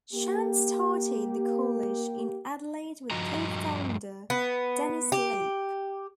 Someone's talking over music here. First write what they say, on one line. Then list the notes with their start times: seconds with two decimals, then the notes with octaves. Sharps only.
Chant started the college in Adelaide with co-founder Dennis Slape.
0.13 A#3 G4
3.11 G2 F3 F#4 D#5 A#5
4.30 B3
5.12 G4